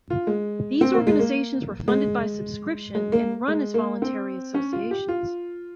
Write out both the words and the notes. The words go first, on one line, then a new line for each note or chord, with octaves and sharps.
These organizations were funded by subscription and run as voluntary associations.
F4
G#3
C4
A#3
G#3
A#3
G#3
G#3
A#3
G#3
A#3
C4
C#4
F4
G4
F4